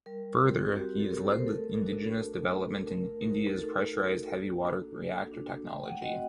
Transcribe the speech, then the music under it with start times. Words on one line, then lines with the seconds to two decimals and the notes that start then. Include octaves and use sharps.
Further he has led the indigenous development in India's Pressurised Heavy Water Reactor Technology.
0.06 G3 A#4
0.41 C4 F#4 G4
0.65 F#4
0.76 G3 G4
1.00 A4
1.11 C4 F#4 A#4
1.31 C5
1.39 A#4
1.46 A3 A4
1.82 D4 F#4
2.16 A3
2.51 D4 F#4
2.86 A3 A#4
3.21 D#4 F#4 A#4
3.56 A3 A4
3.92 D#4 F#4
4.27 A#3
4.61 D4 F#4
4.97 A#3
5.32 D4 F#4
5.67 A3 G5
5.84 F#5
5.97 F#5
6.02 C4 F#4 D#5